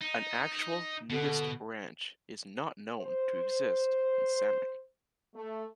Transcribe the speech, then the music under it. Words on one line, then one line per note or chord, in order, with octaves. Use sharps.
An actual nudist ranch is not known to exist in Samak.
D#4
B2 D3
C5
A3